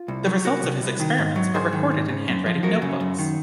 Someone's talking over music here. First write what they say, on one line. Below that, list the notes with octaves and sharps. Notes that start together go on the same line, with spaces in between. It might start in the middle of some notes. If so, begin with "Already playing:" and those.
The results of his experiments are recorded in handwriting notebooks.
Already playing: F4
C2
F#3
C2 F#4 A#4
C3
C2
D#3
G#2
F#3
G#2 G#4 C5
D#3
G#2
C#3
F#2
F3
F#2 F#4 A#4
C#3
F#2
D#3